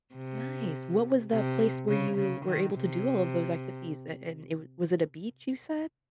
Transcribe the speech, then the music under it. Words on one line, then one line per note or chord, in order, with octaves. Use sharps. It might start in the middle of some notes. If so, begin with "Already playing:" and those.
Nice. What was the place where you were able to do all of those activities? And and it was it a beach, you said?
C3
C3
C#3
C#3
D#3
C3